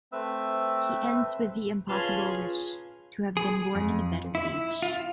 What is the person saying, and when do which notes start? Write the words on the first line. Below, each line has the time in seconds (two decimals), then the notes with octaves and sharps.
He ends with the impossible wish to have been born in a better age.
0.12 A3 C4 B4 E5 E6
1.89 C#4 F4 G#4 B4 A5 C6 F6
3.37 G#4
3.75 F2
4.35 E4
4.82 F4